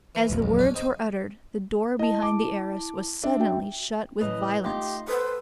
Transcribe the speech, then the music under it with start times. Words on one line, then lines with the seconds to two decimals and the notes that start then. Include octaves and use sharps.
As the words were uttered, the door behind the arras was suddenly shut with violence.
0.15 E3
0.30 D#1 A#1 F2
0.42 B1
0.59 C#4 D4
0.74 C4 D#4 C5
1.99 E4 D#5 A5
2.22 D6
3.24 D4 E5
3.40 F#4 G5
4.21 A2 C#3 E3 B4 D#5
4.64 A3 D#4 F4 G4 D#5 C6
5.08 A4 B4 C5 E6